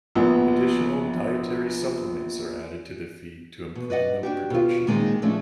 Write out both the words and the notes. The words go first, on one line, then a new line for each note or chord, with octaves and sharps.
Additional dietary supplements are added to the feed to improve milk production.
A#1 B3
B2
B4 D5 D#5 F#5
D4 F#4 G4
B2 F4
A#2 D#3 G#3 C4 D4 D#4
F3 G#3 A3 C#4 D4